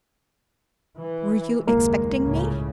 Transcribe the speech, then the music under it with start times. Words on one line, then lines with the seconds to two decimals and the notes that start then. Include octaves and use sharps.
"Were you expecting me?"
0.97 E3
1.67 F#1 D#2 G#3 A#3
2.22 C#2 A2 C#3